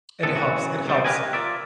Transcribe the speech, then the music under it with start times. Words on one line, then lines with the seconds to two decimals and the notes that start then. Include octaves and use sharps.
it helps it helps
0.23 E2 A2 C3 B3 A4
0.35 C#3 E3 F#3 F#4
0.88 C3 G3 A3 C4
1.04 G4 G#4 A#4 B4 D#5 G#5
1.33 F4 A#4 D5 E5